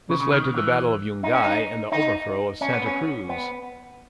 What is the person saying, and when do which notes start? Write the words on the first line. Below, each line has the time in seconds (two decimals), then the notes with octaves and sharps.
This led to the Battle of Yungay and the overthrow of Santa Cruz.
0.09 C#3
0.21 C#3
0.32 D#3
0.55 E3
1.23 D#4
1.33 C#4
1.43 D#4
1.92 D#4
2.61 C#4
2.73 B3
2.86 C#4
3.29 B3